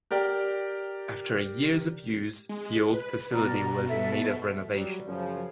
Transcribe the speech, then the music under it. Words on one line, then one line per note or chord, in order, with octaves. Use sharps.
After years of use the old facility was in need of renovation.
G4 A#4 D5 G5
G#3
B4
B2 A#4 D5
A4 E5
F#3 G3
F#2 C#3 F3